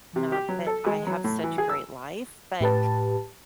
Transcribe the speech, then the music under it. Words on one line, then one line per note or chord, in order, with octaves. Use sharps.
not that I have such a great life, but
C3
G4
F#3
A4
G#3
F#3
A2
E3
G#4
E6
A2 G4 B4 A5